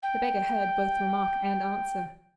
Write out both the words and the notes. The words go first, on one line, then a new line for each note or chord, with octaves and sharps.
The beggar heard both remark and answer.
G5